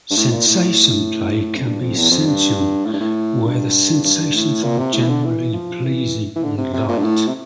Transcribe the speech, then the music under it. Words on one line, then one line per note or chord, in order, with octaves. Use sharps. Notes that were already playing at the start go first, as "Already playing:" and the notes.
Sensation play can be "sensual", where the sensations are generally pleasing and light.
G2
A2
A#2
A2
F2
G2
F2
E2
F2
G2
A2
G2
A2
G2
G2
A2
A#2
C3
A2
E3
D3
E3
F3
E3
E3
D3
C3
C3
A#2
G2
A2
C3